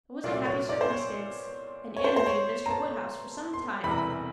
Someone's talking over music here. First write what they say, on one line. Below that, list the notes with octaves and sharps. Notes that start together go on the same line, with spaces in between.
It was a happy circumstance, and animated Mr. Woodhouse for some time.
C2 A#2 F#3 A3 D5
C#5
D5
C5
C#5
C#5
C5
C5
C#5
A#5
A5
C6
E1 E2 C3 E3 G3 B5
A#5
B5